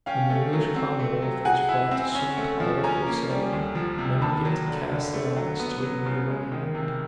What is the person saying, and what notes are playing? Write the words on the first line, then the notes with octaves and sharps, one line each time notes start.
When the English commonwealth was brought to some tolerable settlement, men began to cast their eyes towards the neighboring island.
C#4 F5 G5
A3
F#3
C4
A3
F#3
G#4 F#5 G#5
E4
C4
C#4
A3
F3
C#4 G#5 A#5
A#3
G3
D2
F3
C3
D#2 A5 B5
F#3
D3
D3
A3
F#3
B3
F#3
C#3
G#3
D#3
C3